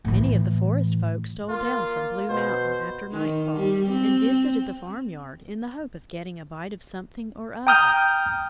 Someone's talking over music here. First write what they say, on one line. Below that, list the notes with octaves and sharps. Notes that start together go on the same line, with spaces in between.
Many of the forest folk stole down from Blue Mountain after nightfall and visited the farmyard in the hope of getting a bite of something or other.
A2 E3
A#3 F4
B2 C5
D#3
G3
C4
G5 A#5 D#6 F6 G6